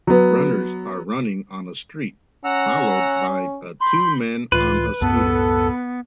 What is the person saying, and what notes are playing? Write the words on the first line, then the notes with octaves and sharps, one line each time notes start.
Runners are running on a street, followed by a two men on a scooter.
F#3 B3
C#4 F#5 A#5 E6
B5 C6 G6
C#2 A2 E3 F4 B4
C2 F#2 A2 B3 A4